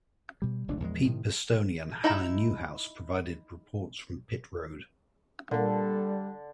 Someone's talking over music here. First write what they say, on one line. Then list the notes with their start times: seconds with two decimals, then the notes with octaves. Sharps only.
Pete Pistone and Hannah Newhouse provided reports from pit road.
0.42 B2 G3
0.68 E1 C#2 A3 D4
0.80 A#1 E2 D#3 G#3
1.05 A2 C3 D#3
2.04 D#4 E4 E5 G#5 A#5
5.51 A#2 D3 G3 A#3 A4